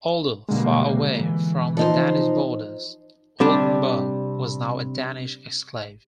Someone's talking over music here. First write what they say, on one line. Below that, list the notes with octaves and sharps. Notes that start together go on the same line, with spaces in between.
Although far away from the Danish borders, Oldenburg was now a Danish exclave.
B2 D3 G3 G#3 A#3
E3
F3 D#4 C5
C3 G3 D4